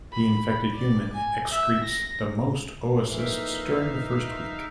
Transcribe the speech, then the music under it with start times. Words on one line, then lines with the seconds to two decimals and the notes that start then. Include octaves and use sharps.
The infected human excretes the most oocysts during the first week.
0.12 B5
0.74 D5
1.13 G#5
1.50 E5
1.84 A#6
3.09 F2 E3 A#3 D#4 E5 F5